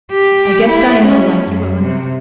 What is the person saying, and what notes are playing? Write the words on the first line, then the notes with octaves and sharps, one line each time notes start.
I guess Diana'll like you well enough.
G4
E4
C#4
F#2
C3